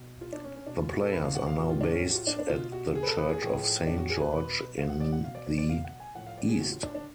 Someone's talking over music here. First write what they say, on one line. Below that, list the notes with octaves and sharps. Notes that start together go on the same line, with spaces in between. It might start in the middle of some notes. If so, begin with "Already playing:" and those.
The Players are now based at the church of Saint George in the East.
Already playing: B2
F4
D4
C#4
C#4
B2 D4
F4
F#4
A4
B4
F5
F#5
F5
A2 F3 F#4
F4
D4
C#4
F#4
F4
D4
D4
B2 F4
F#4
G#4
B4
A4
B4
G#4
A2 F3
D4
F#4
G#4
B4
B2 B4
F5
F#5
D5
F#5
B2 F5
D5
D5
D5
F5
F#5
G#5
A2 F3 F#5
F5
D5
G#4
F#4
F4
D4
D4